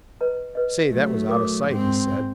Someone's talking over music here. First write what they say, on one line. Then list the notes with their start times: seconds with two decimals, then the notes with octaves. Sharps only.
"Say, that was out o' sight," he said.
0.21 B4 D#5 A#5
0.55 B4 D#5
0.92 F#3 A3
1.28 A#4 D6 D#6
1.69 G#2 C4